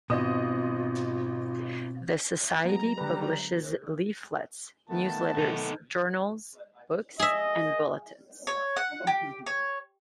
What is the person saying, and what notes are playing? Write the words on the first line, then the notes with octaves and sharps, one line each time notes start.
The Society publishes leaflets, newsletters, journals, books and bulletins.
G#1 B2 C4 F4 D#5 D#6
F#3 G#3 B3 A#5
D3 G3 B4
D#3 A3 B3 A5
D#4 A4
G#4 D#5 E5
C#5
F#5
G4
C#5